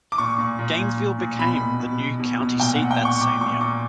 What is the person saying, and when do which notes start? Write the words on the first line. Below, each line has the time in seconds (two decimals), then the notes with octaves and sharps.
Gainesville became the new county seat that same year.
0.12 D6
0.18 A#2 C#6
0.39 A#2
0.59 A#2
0.79 A#2
0.99 A#2
1.19 A#2
1.39 B2 B5
1.60 B2
1.80 B2
2.00 B2
2.19 B2
2.40 B2
2.60 A#2 G5
2.75 F#5
2.80 A#2
2.91 G5
3.01 A#2 C#6
3.20 A#2 D6
3.41 A#2 C#6
3.60 A#2 D6